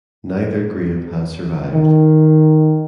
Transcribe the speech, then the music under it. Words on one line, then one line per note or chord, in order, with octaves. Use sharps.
Neither grave has survived.
D#3